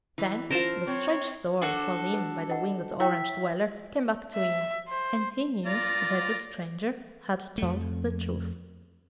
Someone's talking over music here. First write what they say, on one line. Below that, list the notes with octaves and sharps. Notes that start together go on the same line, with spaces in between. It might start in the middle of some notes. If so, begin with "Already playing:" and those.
Then the strange story told him by the winged Orange-dweller came back to him, and he knew that the stranger had told the truth.
E3
C#4 F4 A#4 C5 A5
C4 C#5
D4 F#4 A4
B4
D#5 F#5
E4 C#5 E5 G5
E5
C5
F4 D5 A#5
F2 A3